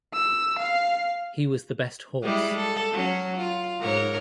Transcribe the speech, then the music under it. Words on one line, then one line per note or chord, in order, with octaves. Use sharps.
He was the best horse.
E6
F5
G3 G#3 E4
A4
F#3 C#4
F4
G#2 A#4 C#5